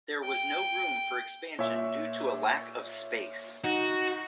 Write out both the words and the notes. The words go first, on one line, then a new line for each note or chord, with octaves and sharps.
There was no room for expansion due to a lack of space.
G5
A#2 C#5 E5
D#4 F#4